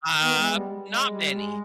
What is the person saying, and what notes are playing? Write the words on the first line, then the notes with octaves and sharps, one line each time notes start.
Ah, not many.
B3
G#3
G3
G#3
G3
G#3